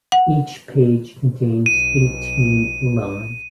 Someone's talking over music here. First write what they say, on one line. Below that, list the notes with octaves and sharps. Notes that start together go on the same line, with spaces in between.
Each page contains eighteen lines.
F#5
B1 D#7